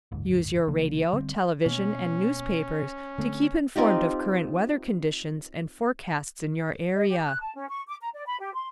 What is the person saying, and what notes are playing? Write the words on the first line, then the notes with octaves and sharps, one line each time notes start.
Use your radio, television and newspapers to keep informed of current weather conditions and forecasts in your area.
F#1 D2 G#2
C2 C#3 F3 A#3
D3 G3 A#3 C4
B2 A#3 C#4
D3 A3 C4
C4 D#4 F4 G4
D#5
G4
F#6
A5
C#4
C#6
D6
A#5
D5
B5
G4
C6